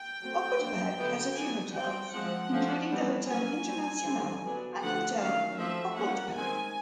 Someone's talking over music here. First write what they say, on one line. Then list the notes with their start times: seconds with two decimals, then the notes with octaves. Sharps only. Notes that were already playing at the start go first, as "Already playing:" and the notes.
Ocotepeque has a few hotels, including the Hotel Internacional and Hotel Ocotepeque.
Already playing: G5
0.21 F#3 A3 C4
0.60 F3 A#3 D4
0.98 D3 F#3 B3
1.37 F#3 B3 D4 G#5
1.75 G3 C4 G5
2.13 F3 G#3 C4 F#5
2.52 D3 F3 A3 C#4
2.91 E3 G3 B3 D4
3.28 F#3 A#3 C#4 G#5
3.66 G3 C4
4.05 D3 G3 C4
4.44 F#3 B3 D4
4.82 D3 F3 A3 D4 F#5
5.20 D#3 F#3 A3 C#4 F5
5.58 F3 A3 C4 E5
5.97 G3 A#3 C#4 F#5
6.34 D#3 G#3 C4 G#5